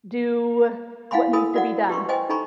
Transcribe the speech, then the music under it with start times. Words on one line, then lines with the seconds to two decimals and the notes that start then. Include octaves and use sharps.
do what needs to be done.
1.11 E4 F5 F#5 G#5 B5 C6
1.33 E4 A4 A#4 G#5 B5 D#6
1.54 F#4 D5 F#5
1.89 G4 B4 C6 C#6
2.09 C5 D#5 G5 G#5 C6
2.29 D#4 A4 G#5 A#5 B5 C#6